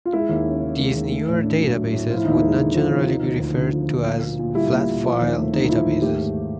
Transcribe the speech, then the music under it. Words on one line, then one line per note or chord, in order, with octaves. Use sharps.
These newer databases would not generally be referred to as flat-file databases.
F4
G#3 E4
D#2
C#4
D#3
G#3
D#2
A3
A2
D4
F#3
A3
A2
F3 F4
E4
D#2 D#4
E4
G#3
D3
F3
D#2
F3 D#4
D2
D2
D3
F3
D2
A#3
A#2
A#2
G3 E4
A#3
A#2
F3
D#2
A3
D3 D#4
F3 E4
D#2
A3 G4
G#2